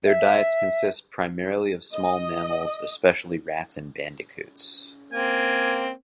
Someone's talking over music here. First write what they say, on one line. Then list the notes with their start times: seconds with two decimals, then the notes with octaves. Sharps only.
Their diets consist primarily of small mammals, especially rats and bandicoots.
0.06 E5
1.93 D#5
5.13 A#3 C4 G#5